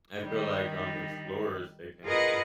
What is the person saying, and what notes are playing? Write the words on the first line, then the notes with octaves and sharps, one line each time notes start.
I feel like, um, explorers, they can
D#3 G3
F4 G#4 A#4 B4 D#5 F#5